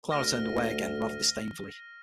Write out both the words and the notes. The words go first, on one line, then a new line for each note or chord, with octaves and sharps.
Clara turned away again rather disdainfully.
D2 F6 A#6 D#7